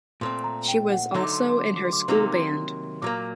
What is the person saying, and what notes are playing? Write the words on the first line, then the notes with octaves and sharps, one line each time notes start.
She was also in her school band.
A#2 A3 C4 C6
A#5
G5
F#5
D3 F#3 A3 D#4 C6
D6
C6
D6
C6
D6
C6
D6
C6
D6
C6
C3 D#3 F#3 A#3 D6
C6
D6
C6
A#2 F#3 A#3 D6